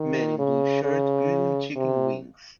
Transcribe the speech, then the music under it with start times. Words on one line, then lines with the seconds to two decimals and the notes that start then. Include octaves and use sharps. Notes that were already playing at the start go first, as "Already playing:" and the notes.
Man in blue shirt grilling chicken wings.
Already playing: D#3
0.39 C#3
0.84 C#3
1.76 C3